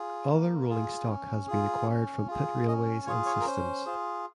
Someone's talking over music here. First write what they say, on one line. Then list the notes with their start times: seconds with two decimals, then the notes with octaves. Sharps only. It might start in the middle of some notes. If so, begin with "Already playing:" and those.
Other rolling stock has been acquired from pit railways and systems.
Already playing: F4 G#4
0.29 A#3
0.69 F4 G#4
1.08 C#4
1.47 F4 G#4
1.88 C#4
2.27 F4 G#4
2.67 C#4 D#5
3.06 F4 G#4 C#5
3.26 C#5
3.40 A#4
3.46 C#4 C5
3.86 F4 G#4